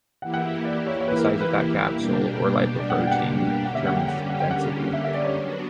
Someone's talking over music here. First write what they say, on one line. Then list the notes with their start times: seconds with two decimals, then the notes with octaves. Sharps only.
The size of that capsule, or lipoprotein, determines its density.
0.22 E3 A#3 E4 G4 F#5
0.34 F#5
0.65 D5
0.87 C#5
1.01 C#5
1.08 B4
1.19 A#4
1.40 B4
1.94 B2 G3 A#3 D4 G4
2.80 D5
2.90 F#5
3.00 F#5
3.07 G5
3.11 F#5
3.65 D3 G3 A#3 C#4 G4 F#5
3.75 E5
3.87 F#5
3.97 G5
4.08 F#5
4.30 F#5
4.40 G5
4.51 F#5
4.94 E5
5.04 E5
5.14 D5
5.25 C#5
5.36 F#3 B3 D4 F#4